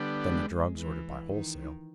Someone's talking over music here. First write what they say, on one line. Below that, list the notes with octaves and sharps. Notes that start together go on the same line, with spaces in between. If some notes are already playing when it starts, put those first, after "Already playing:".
Then the drugs ordered by wholesale.
Already playing: D3 G3 B3 D4
G#3
E3
D#3